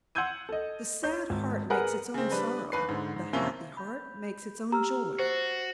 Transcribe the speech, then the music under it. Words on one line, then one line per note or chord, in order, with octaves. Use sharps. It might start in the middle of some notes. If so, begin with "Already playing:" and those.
The sad heart makes its own sorrow, the happy heart makes its own joy.
F#5 C6 E6 G6 G#6 D#7
A4 D#5
C#5 G6
G#1
G#4 A#4 B4 F#5 F#6
C#3 C4
G3 D4 B4
D#2 B4 C7
G#2 D3
G#2
F2 C3 A#3 C#4 E4 G7
B5 G6
G4 A#5 E6 F6
F#4 C5 A6 C7